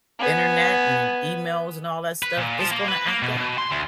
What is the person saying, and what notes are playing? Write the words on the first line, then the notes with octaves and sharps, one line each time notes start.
Internet and emails and all that stuff, it's gonna act up.
B3 G#5
B4
A#2
F3
A#3
B4
A#3
B2
B2
C6
D2